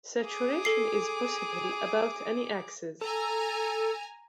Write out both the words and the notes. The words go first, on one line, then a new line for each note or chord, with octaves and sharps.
Saturation is possible about any axis.
G#4 D6
A4 C7
A4 G#5 A#5